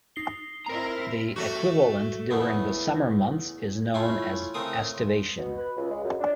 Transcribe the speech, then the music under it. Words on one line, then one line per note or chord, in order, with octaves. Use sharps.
The equivalent during the summer months is known as aestivation.
D#4 C7 G7
C4 E4 A#4 A#5
A3 F#4
E2 C#3 A3 B3
A3 C#4 E4 F4
C#3 A3 C4 A#4 D#6
B2
B4
C#2
G#3
F#2
D4